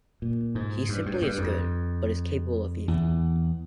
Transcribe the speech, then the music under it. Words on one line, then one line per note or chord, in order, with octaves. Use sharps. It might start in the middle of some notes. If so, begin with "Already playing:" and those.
He simply is good, but is capable of evil.
A#2
G#2
G2
G2
G2
F2
E2